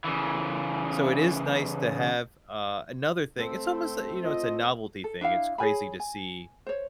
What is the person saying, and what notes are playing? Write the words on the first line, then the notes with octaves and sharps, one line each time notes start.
so it is nice to have, uh another thing it's almost, you know, it's a novelty thing, it's crazy to see
C#3 E3
A3 C4
F4 D#5
A4
D4 E4 E5 F5
G#4 C#5 G#5 B5
G#5
C5 C#5